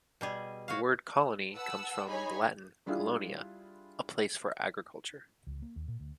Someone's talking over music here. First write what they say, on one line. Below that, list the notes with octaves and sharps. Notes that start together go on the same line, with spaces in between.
The word "colony" comes from the Latin "colonia"-"a place for agriculture".
B2 G3 G#4
F#4 G#4 F5
B4 F#5 A5 E6
D#4 G#4 C#5 G#5 B5
G3 D4 E4 F4 G#4
C#2
A#3
D#2
A#2
D2